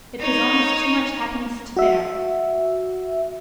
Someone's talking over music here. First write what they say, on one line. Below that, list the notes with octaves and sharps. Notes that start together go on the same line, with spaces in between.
It was almost too much happiness to bear.
D#4 C#5
F#4 E5